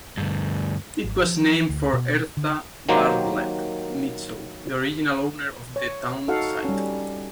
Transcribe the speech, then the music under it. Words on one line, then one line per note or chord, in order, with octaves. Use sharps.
It was named for Ezra Bartlett Mitchell, the original owner of the town site.
D2 G2
G#1
F3
D2
B2
D3
D#3 F#3 A#3 G4 A#4 C5
C#5
D#4 F#4 A4 F5 F#5
G3 C#4